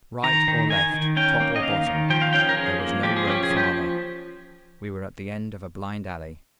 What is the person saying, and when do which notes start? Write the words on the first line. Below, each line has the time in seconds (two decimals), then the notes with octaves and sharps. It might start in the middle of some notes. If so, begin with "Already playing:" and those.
Right or left, top or bottom, there was no road farther; we were at the end of a blind alley.
0.23 D#3 A#5
0.48 D#3
0.70 D#3 G#5
0.94 D#3
1.17 C#4 G5
1.41 A#3
1.56 D#5
1.63 D#3 F5
1.87 D#3
2.10 F3 G5
2.22 F5
2.33 C#4 G5
2.49 A#4
2.57 F3 G#4
2.80 A#3
3.03 F3 G4
3.16 G#4
3.27 C#4 G4
3.43 G#4
3.50 F3
3.57 G4